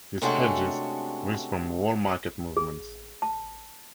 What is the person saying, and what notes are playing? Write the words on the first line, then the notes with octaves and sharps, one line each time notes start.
This hedges risk from whole-market movements.
C3 G#3 A3 C#4 D4 F#4
G#4
A5